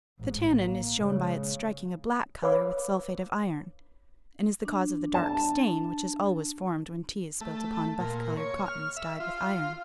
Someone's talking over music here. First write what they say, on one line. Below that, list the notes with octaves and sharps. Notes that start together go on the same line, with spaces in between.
The tannin is shown by its striking a black colour with sulphate of iron, and is the cause of the dark stain which is always formed when tea is spilt upon buff-coloured cottons dyed with iron.
A1 G#2
A#3
C#3 G#3
B4 C#5 F5 B5 D6 E6
D4
A5
A3
A#2
C#5
F6
E5
F4